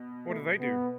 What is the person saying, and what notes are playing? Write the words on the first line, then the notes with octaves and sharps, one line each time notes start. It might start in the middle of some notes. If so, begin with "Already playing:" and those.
What do they do?
Already playing: B2
A3
B3